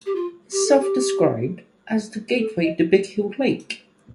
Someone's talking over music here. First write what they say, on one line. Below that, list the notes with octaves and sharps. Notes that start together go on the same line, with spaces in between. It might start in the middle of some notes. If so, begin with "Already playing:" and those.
Is self-described as the Gateway to Big Hill Lake.
G4
F4
G4
A4
G4
A4
D#5